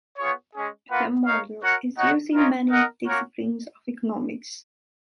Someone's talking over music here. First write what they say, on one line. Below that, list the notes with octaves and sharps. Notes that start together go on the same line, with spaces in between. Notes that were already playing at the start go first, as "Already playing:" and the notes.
The model is used in many disciplines of economics.
B3 F4 G#4 C#5
G#3 C#4 G#4
A#3 F4 B4 F#5
D#4 A#4 C#5 F5
F#4 A#4 C#5 F#5
D#4 F#4 C#5 F#5
A#3 C#4 F4 A#4 D#5
D#4 A#4 D#5 F#5
A#3 C#4 F#4 A#4 C#5